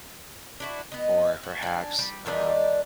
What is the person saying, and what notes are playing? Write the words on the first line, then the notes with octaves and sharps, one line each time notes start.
or perhaps, um
D4 E4 F#4
B3 D#5
F#4
D4 G#5
G3
D#3 G3 D4 D#4